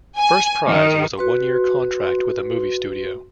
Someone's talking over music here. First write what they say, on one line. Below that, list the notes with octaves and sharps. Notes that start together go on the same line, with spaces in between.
First prize was a one-year contract with a movie studio.
G#5
D#3
F#4 B4 C6